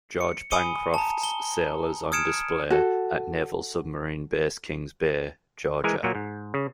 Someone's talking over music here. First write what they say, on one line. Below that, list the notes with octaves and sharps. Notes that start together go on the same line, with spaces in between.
"George Bancroft"s sail is on display at Naval Submarine Base Kings Bay, Georgia.
C#7
G#5 B5 D#6 C#7 D#7 G7
A5 A#5
A5 G7
D#6 F6 G#6 C#7 D7 E7
F#4 A4
E3 G#3 A#4 G#5
A#2 F#3 A#3
G#2
C#3